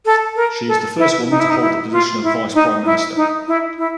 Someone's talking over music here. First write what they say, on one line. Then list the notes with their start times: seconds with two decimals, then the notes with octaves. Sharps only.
She is the first woman to hold the position of Vice Prime Minister.
0.05 A4
0.36 A#4
0.68 A4
0.98 E4
1.29 D#4
1.40 E4
1.50 D#4
1.61 E4
1.92 F4
2.23 E4
2.54 D#4
2.85 E4
3.16 D#4
3.48 E4
3.78 E4